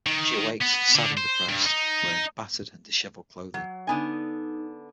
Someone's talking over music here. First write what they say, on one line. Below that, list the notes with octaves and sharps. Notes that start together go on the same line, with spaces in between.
She awakes, sad and depressed, wearing battered and disheveled clothing.
D#3
B3
D3
C5
G2
D#4
F#3
D3 B3 D#4 G#5